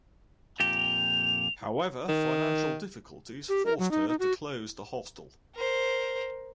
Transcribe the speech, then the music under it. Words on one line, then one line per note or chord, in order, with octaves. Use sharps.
However financial difficulties forced her to close the hostel.
F2 A#2 G4
F7
D#3
G4
A#4
F#3
D#4
D#4
F#4
A#4 C5